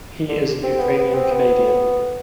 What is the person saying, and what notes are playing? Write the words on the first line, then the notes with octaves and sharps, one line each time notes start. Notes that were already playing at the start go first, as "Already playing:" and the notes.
He is a Ukrainian-Canadian.
D3
C4
B3
B3
C4
B3